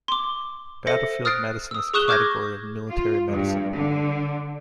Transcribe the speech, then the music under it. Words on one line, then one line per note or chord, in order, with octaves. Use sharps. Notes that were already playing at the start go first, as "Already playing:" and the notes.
Battlefield medicine is a category of military medicine.
C6 D6
A4 C5 E5 A#6 C#7
D#6 F6 F#6 A6 C7 D7
D#6 E6
G#4 C#6 D#6 F#6 E7 G7
C#6 D6 F6 G6 G#6 A#6
F4
G2
D3